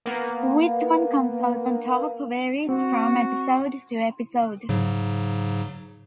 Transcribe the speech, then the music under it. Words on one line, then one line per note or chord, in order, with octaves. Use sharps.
Which one comes out on top varies from episode to episode.
A#3 B3
C4 F#4
G#2 C#3 F#3